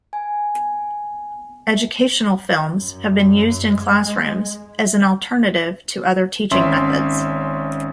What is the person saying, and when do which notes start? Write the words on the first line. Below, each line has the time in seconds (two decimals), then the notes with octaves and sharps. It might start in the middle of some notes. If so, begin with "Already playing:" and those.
Educational films have been used in classrooms as an alternative to other teaching methods.
0.13 G#5
2.77 F#2
3.69 G#3
6.51 G#1 C#4 E5 C6